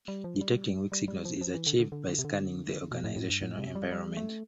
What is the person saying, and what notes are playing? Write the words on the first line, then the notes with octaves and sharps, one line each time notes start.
Detecting weak signals is achieved by scanning the organizational environment.
G3
F3
G3
G3
G3
F3
F3
E3
D3
D3
D3
D3
C3
D3
B2
A2
A2
G2
A2
C3
G3
G3
A3